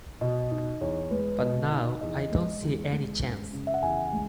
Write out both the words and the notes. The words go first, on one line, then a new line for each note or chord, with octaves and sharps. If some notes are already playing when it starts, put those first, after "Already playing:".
But now, I don't see any chance.
B2 D#5
D#4
E2 C#5
G#3 B4
B2 D#5
D#4
E2 D#5
G#3
E2
G#3
F#1
C#3
E5
F#5
E2 G#5
G#3